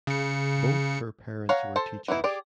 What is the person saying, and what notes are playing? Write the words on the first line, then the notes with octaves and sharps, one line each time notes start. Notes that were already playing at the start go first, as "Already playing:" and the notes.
Both her parents were teachers.
C#3 C#7
C#5 F5 F#5 A#5
A4 C5 A5
E3 B3 D#4 E4
G4 G#4 D5